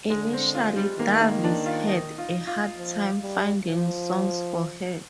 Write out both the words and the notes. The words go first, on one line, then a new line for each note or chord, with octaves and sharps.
Initially Davis had a hard time finding songs for her.
D3 G#3
C4
F4
G3
D#3 A#3
A#3
D4
F4
D#4
F4
F4
F3
G3
F3